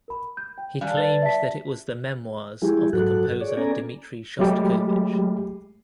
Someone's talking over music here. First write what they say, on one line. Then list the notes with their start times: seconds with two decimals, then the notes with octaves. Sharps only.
He claimed that it was the memoirs of the composer Dmitri Shostakovich.
0.08 A#4 B5
0.37 G6
0.58 G5
0.81 G3 D4 F5 G#5
0.97 B4 A6
1.23 E5 A5 B6
2.62 F3 G#3 E4 G4 G#4
2.93 G#2 F#3 F#4 A4 F#6
3.41 G#4 C#5 D5
3.57 B3 C#4 A4 D5 G#5 A#5
4.39 F#3 G#3 A3 G4